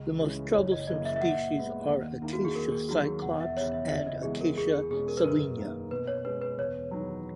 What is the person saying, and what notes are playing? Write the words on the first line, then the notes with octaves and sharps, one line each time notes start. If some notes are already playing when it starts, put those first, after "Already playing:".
The most troublesome species are "Acacia cyclops" and "Acacia saligna".
Already playing: C#2
C#3 E3 G#3 C#4
F#1 C#5
D#5
F#2 C#3 E3 A#3 D#5
E5
E5
A#2 F#5
G#3 B3
D#2
D#3 A#3 E4 A#4
F#4
G#4
D#2 A#4
G#4
D#3 F#3 A#3 F#4
G#4
E1 F#5
E5
E2 C#3 C#5
E5
F#1 E5
D#5
E2 C#3 E3 G#3 G#4
A#4
E2 G#4
G#4
B2 G#3 C#4 G#4
A#4
B4
F#2 A#4
D#3 A#3
B2 B4
C#5
G#3 C#4 B4
B4
E1 C#5
E2 D#3 F#3